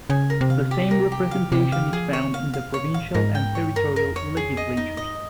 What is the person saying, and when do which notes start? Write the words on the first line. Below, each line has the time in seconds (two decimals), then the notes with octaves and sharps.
The same representation is found in the provincial and territorial legislatures.
0.10 C#3 G#5
0.30 A#4
0.41 C3
0.50 F5
0.71 G4
0.91 A#4
1.12 G4
1.31 C#3 F5
1.52 C3 G4
1.72 C#3 F5
1.92 F3 G#4
2.13 D#3 C#5
2.33 C#3 F5
2.54 C3 F5
2.74 C#5
2.84 A#2
2.94 F5
3.08 G2
3.14 G#2 A#4
3.35 G5
3.55 C#5
3.76 G2 A#4
3.96 A#4
4.06 F2
4.16 C#5
4.37 G#4
4.57 D#5
4.77 D#4
4.97 G2 D#5